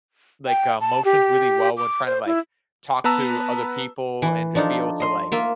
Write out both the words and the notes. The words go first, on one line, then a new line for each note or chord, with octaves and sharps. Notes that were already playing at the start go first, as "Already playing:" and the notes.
like, uh, motions really well when tryna, like, talk to other people and just be able to, like
G5
A5
G4
D6
C5
E4
B3 B4 A5 A#5 E6
E3
F3 D4 D#4 A4
D#5 C6
A#3 F4 E5